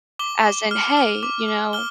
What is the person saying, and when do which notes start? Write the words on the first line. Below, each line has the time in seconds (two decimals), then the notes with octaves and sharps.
as in, "Hey, you know,
0.19 D6 G7
0.46 D6
0.71 F6
0.97 F6
1.23 D6
1.49 D6
1.73 F6 G7